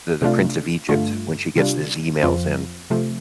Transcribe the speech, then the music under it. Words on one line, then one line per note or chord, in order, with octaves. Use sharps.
the the prince of Egypt when she gets these emails in.
C3 A3 D4 F4
G2 D3 A3 F4
C3 G3 D4 F4
F2 F3 C4 F4
C3 F3 A3